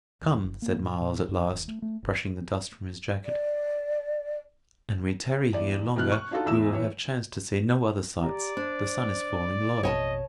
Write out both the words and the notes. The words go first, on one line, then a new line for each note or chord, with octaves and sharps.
"Come," said Myles at last, brushing the dust from his jacket, "an we tarry here longer we will have chance to see no other sights; the sun is falling low."
E2
F#1
A#3
A2
A#2
F#2
D#1
A3
A3
F#1
D5
E2 D5
B2 E3 F6 F#6
C#6
D4 D#4 F4 F#4 A4
E2 E6 E7
E3 C#5
G4 D5 A#5
D4 C5
A1 F2 B2 C#5 D#5 G5 A5